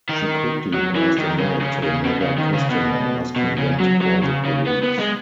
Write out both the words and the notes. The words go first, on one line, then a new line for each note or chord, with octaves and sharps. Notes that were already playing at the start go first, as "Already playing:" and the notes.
She quickly passed a note to another customer asking them to call the police.
D#3
F#3
E3
D#3
C#3
C#3
C#3
B2
C#3
D#3
C#3
B2
B2
C#3
F#3
F#3
C#3
C#3
B3
B3
G#3